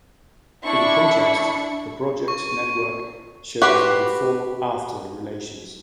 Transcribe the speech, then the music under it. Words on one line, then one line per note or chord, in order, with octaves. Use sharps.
In contrast, the project network shows the "before-after" relations.
D4 E4 C#6
C#6
F#4 G4 B4 C5